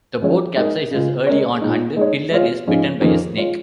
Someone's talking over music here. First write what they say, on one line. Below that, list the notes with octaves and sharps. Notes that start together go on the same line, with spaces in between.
The boat capsizes early on and Pilar is bitten by a snake.
F3 G#3 C#4 G#4 C#5
G#3 D#4 A#4 D#5
C#3 G#3 F4
G#3 C#4 A#4 C#5
A#2 G#3 D#4
G#3 D#4 G#4 C#5
G#3 F4 C#5
G#2 F3 G#3 C#4 F4
F2 D#3 A#3 C#4 G#4
G#3 F4 C#5